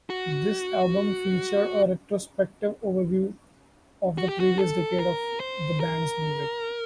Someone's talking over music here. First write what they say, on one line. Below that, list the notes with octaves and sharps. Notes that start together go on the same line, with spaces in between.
This album featured a retrospective overview of the previous decade of the band's music.
F#4
F#4
G4
F#4
A4
A#4
C5
A#4